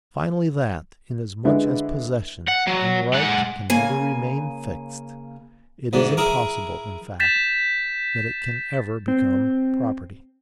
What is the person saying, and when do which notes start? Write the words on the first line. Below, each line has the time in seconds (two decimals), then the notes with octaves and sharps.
Finally, that, inasmuch as possession, in right, can never remain fixed, it is impossible, in fact, that it can ever become property.
1.45 D3 G#3 D4 E4 B4
2.48 F#5
2.67 F#3
3.14 G#3 F#5
3.70 C#3 A#3 G#5
5.93 D2 G#2 D3
6.17 E4 G#4 A#4
7.20 G6 A6 B6 E7
9.08 C4